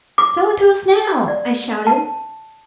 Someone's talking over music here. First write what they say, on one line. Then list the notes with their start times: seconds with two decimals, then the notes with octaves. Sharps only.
"Show it to us now!" I shouted.
0.18 D6
1.28 D5
1.87 A5